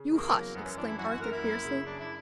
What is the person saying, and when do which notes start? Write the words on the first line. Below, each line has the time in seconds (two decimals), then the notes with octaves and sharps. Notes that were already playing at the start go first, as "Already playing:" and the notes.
"You hush!" exclaimed Arthur fiercely.
Already playing: C#3
0.11 E2 A#3
0.32 F#3
0.55 F#2 B3
0.65 C#4
0.76 E3 D4
0.87 E4
0.98 F#2 F#4
1.09 F#4
1.20 A#3 A#4
1.32 E4
1.42 F#2
1.65 C#3
1.86 F#2 D4
2.00 E4